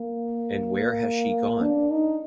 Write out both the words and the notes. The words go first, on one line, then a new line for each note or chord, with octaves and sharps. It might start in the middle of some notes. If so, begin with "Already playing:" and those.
And where has she gone?
Already playing: A#3
D4
D#4